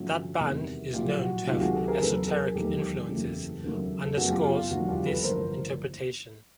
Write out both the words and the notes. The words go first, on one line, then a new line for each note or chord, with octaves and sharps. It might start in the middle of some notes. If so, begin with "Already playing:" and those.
That the band is known to have esoteric influences underscores this interpretation.
Already playing: G2 D3 F3 A3 C#4 F#4
E2 C3 D#3 G3 A#3
A#1 A2 F#3 F4 G4
F#4
C#2 C3 D#3 F#3 F4 G4
F#4 G#4
G4 A4
G#4 A#4
E2 C#3 F#3 A4 B4
G#4 A#4
E1 D#2 D#3 F#3 A3 G4 A4
F#1 E2 C#3 E3 A3
E1 D#2 C#3 F#3 A3
A4
F#2 C#3 F#3 B3 F#4 G#4
F4 G4
F4
F4
E1 D#2 D3 F#3 F#4
F4 G4
A4 B4
A1 G2 D3 F3 A#3 A#4 C5